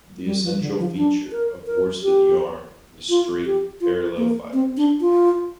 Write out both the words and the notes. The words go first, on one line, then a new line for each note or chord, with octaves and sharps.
The essential feature of worsted yarn is straight, parallel fibres.
G3
F3
D3
F3
D4
A#4
A#4
G4
F4
G4
F4
A#3
C4
D4
F4